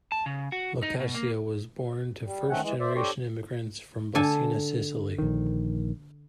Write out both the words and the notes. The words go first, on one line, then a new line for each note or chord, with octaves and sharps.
Locascio was born to first generation immigrants from Baucina, Sicily.
A5
C#3
F#4
D#4
B2
A#3
G3
D#3 A3 C4 C#4 F#5
E3 G#3
C5 D5 E5
D4 G4 A4 C5 C#5
D3 A4 G#5
A#1 D#3